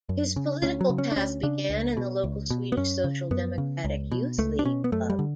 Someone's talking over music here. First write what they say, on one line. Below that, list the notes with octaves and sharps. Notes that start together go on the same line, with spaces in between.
His political path began in the local Swedish Social Democratic Youth League club.
F#2
C#3
D2 C#4
F#3
C#3
C#4
D4
D2 C#4
C#3 D4
C#2
B2
C#2
B2
B3
F#2 C#4
C#3
F#2 B3
C#3
C#2
B2
C#2 A3
D4
B2 C#4
B3
F#2 A3
G3
D3